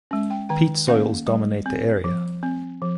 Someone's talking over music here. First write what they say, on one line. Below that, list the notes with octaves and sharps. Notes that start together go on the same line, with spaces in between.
Peat soils dominate the area.
G#3 C#4
G5
D#3 G5
A#3 C#4 F5
G3
C4
F3
C4
F3